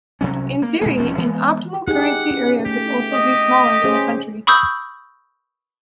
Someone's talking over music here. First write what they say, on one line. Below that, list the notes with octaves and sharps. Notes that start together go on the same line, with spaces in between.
In theory, an optimal currency area could also be smaller than a country.
C2 C3 F#3 C#4
A#3
A#2 G#3 A#3
E1 B1 F3 C#4
E3 G#3 B3
D#4 G4 G#4 F#5
C#4
A3 G4
D#5
C#4 G#4 C5
B5 C#6 D#6 E6 G6